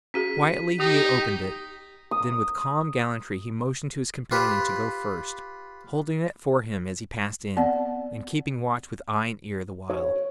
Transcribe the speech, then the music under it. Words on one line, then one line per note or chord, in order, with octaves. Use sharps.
Quietly he opened it, then with calm gallantry he motioned to his companion to go first, holding it for him as he passed in, and keeping watch with eye and ear the while.
C#4 F#4 G#4 B6 D#7
D#4 G4 D#6
D#6
F4 G4 B4
B3 C4 D5 F#5
C#5